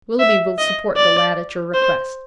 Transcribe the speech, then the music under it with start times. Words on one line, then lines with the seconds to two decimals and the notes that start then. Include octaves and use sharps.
Willoughby will support the lad at your request.
0.20 E5
0.59 D#5
0.97 D5
1.74 C5